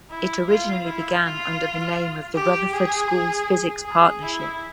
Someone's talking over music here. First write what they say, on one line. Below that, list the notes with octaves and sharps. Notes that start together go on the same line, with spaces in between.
It originally began under the name of the Rutherford Schools Physics Partnership.
E4
F4
E4
F4
G4
G#4
G#4
E4